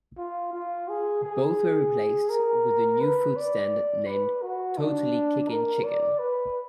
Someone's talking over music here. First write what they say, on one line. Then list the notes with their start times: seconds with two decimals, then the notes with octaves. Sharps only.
Both were replaced with a new food stand named Totally Kickin' Chicken.
0.17 F4
0.53 F4
0.89 G#4
1.23 G#4
2.30 A#4
3.00 B4
3.36 D5
4.07 B4
4.42 F#4
4.78 D4
5.48 A#4
5.84 D5
6.19 B4